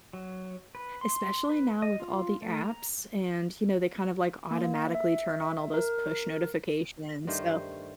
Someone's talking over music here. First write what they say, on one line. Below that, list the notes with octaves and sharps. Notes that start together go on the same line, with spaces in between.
Especially now with all the apps and, you know, they kind of like automatically turn on all those push notifications, so
F#3
B4
C6
B4
D#5
F4
A3
A#5
A#3
E5
A#4
G2 D#3 A3 C5